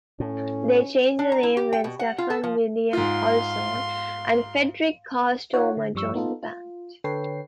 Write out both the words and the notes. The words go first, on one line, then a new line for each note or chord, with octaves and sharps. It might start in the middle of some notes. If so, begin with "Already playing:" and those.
They changed the name when Staffan William-Olsson and Fredrik Carl Stormer joined the band.
A2 C#4
D4
A#5
E4
G4
G5
B2
F#5
F4
A4
F3
G#2 F4 F5 C6
D#4 F4 C#5 F#5
D3
G2 F3 G3 C#6 E6
B3 D#4 F4 A4
F4
D3 A4 B4 C#5 G5 C7